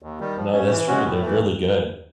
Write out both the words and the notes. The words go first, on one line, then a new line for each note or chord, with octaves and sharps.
No, that's true, they're really good.
D#2
D#3 G3
F3
A3 C#4
E3
G#3 C#4 F#4
A2
E3 A3